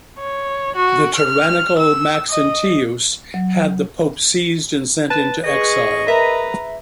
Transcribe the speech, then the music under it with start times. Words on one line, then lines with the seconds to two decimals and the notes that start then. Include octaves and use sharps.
The tyrannical Maxentius had the pope seized and sent into exile.
0.19 C#5
0.76 F#4
1.16 F6
1.79 E6
2.30 D#5
3.34 F#3
5.10 B4 A5
5.44 G#4 D#5 C#6
6.08 A#4 B4 E5 A#5